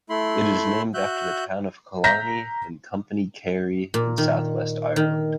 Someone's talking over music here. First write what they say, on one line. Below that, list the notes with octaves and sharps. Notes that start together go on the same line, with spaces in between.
It is named after the town of Killarney in Company Kerry in southwest Ireland.
A3 E4 B5 C6
F#4 E5 F#6 G6
A#5 G6 A#6 B6
A#2
D#3
D#3